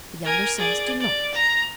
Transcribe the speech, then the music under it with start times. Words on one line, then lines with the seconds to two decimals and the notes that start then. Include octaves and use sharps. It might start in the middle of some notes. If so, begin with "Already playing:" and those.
The younger sons do not.
0.24 A#4 G#5
0.58 G#4 D5
1.00 D5
1.34 A#5